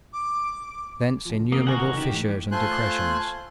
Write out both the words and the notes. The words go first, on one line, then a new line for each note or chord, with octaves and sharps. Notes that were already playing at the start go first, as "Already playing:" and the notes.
Thence innumerable fissures and depressions.
D6
C#2 F3
G#1 C#3 A#3 D#6
C3 F#4 A#4 F#5 G#5 C#7
A1 C#3
D#4 G4 E7
G#2 E3 A3
A3 F4 C5 G#5 C6 F#6